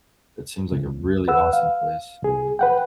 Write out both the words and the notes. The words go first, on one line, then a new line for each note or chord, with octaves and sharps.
It seems like a really awesome place.
C#2
B4 F#5 E6
F5
C2 G#4
B4 F#5 G5